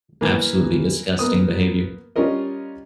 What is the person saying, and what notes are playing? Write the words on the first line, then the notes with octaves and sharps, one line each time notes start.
Absolutely disgusting behavior.
E3 A#3
A#3 B3 D#6
G3 C#4 F4 A#4 D#5